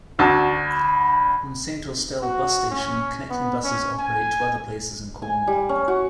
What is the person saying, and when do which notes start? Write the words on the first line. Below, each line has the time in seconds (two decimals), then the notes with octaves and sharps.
From Saint Austell Bus Station connecting buses operate to other places in Cornwall.
0.19 D2 D3 F#4 A5
0.67 B5
2.22 F#4
2.71 C#4
3.30 B3
3.64 C#4
3.99 G#5
5.22 G#5
5.47 G3
5.69 C#4
5.88 F#4